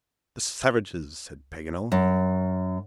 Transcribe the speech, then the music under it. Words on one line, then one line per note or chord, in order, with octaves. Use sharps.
"The savages," said Paganel.
F#2